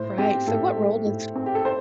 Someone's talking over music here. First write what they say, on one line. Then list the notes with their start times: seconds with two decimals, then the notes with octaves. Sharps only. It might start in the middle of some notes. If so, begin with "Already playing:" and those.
Right. So what role does
Already playing: A2 C5
0.18 C4 G4
0.47 A2 A4
0.77 A3
1.06 A2
1.36 C4
1.46 G4
1.55 A4
1.65 C5